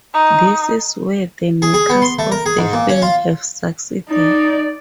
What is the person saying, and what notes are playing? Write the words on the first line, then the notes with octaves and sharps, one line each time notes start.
This is where the makers of the film have succeeded.
D#4
G#4
G#4
B3
C6
A3
A#4
G#4
G#2
A#2
C#4
F4
D#4 D5